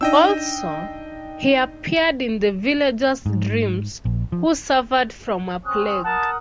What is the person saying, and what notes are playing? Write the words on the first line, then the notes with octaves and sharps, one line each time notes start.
Also, he appeared in the villagers dreams who suffered from a plague.
D4 D#4 D#5 G5 E6
G#2
A#1
F3
C4 C#4 D#6 F#6
A#4 F#5 A5 D#6